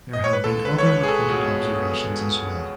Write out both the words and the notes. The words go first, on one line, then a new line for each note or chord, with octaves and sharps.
There have been other reported observations as well.
D#5
C#5
B4
C#2 A4
B4
C#5
C#2 B4
G#4
A4
B2
B2